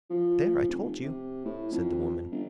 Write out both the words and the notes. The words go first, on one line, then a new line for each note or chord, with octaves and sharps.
"There, I told you!" said the woman.
F3
F1
C3
A2
F2
G1